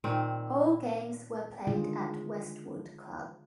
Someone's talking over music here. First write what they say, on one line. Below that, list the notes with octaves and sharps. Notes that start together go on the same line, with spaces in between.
All games were played at Westwood Club.
A#2 D#3 C4
D3 D#3 G#3 F4 G#4